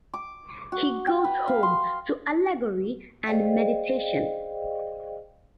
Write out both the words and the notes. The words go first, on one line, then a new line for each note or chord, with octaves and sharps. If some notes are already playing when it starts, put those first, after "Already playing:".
He goes home to allegory and meditation.
D6
F#4
G5
B4
F5
C6
G#4 C5 D5 D#5 F5 G5